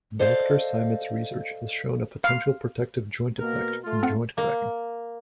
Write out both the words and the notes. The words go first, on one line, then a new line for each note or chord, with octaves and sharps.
Doctor Cymet's research has shown a potential protective joint effect from joint cracking.
A4 C5 D5 D#5 F5
F5
B2 A#3 A#4
A3 F4
C4 F#5
A#3